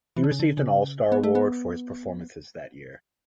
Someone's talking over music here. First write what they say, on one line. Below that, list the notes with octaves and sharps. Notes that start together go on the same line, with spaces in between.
He received an All Star award for his performances that year.
E3
D3
C#3
D3
C#3
B3
A3
B3